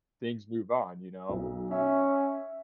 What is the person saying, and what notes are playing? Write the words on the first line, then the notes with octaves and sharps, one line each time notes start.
Things move on, you know?
B1
C#4 E5